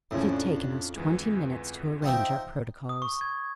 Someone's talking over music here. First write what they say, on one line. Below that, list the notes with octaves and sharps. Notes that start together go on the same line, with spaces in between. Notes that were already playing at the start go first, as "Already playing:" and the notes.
It had taken us twenty minutes to arrange our protocols.
G#1 F2 A2 C#3
C#4 D4
D2 E3 G#3
F3 D#4 E5 G5
D#6
C#6
G#6